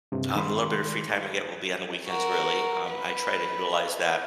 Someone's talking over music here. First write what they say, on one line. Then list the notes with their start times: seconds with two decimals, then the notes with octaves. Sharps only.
um, a little bit of free time I get will be on the weekends, really, um, I try to utilize that
0.12 G2 C3
0.35 D#3 G#3 B5 C6
2.07 F#4 A#4
2.88 B4